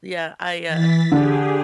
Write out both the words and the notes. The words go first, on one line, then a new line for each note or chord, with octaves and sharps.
Yeah. I, uh,
E3 A6 B6
D3 G4 G#4